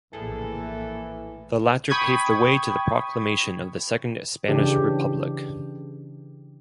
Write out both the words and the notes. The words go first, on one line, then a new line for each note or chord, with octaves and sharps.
The latter paved the way to the proclamation of the Second Spanish Republic.
A#1 A2 E3 A#3 G#4 A4
G5 B5 C#6 D#6 G#6
C#3 E3 D4 G4